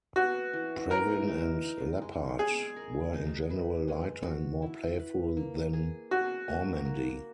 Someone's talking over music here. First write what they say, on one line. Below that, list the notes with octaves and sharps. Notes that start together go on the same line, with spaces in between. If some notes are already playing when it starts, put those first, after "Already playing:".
Previn and Leppard were in general lighter and more playful than Ormandy.
B3 F#4
E3
E3 A#4
D#4
D#4
G#3
G#3 G#4
A#4
D#4
B4
G#3
F#4
E4
B4
A#3
G#4
C#4 F#4
A#3
A#3